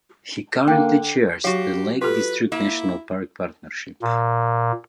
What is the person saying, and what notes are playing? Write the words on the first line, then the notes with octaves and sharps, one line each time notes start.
He currently chairs the Lake District National Park Partnership.
D3 A#3 G5
F#3 F#4 G4 F5
F4 G4 A4 B4
A#3 E4
A#2